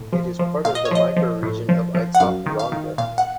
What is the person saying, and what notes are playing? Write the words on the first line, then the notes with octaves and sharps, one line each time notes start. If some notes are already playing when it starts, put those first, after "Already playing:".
It is part of the microregion of Itaporanga.
Already playing: A2
F3
F3
A#2 F5
D#5
C#5
F3 D#5
F3
A2
F3
F3
F#5
F#2 F5
D#3
F5
D#3
A#2 F5
F#5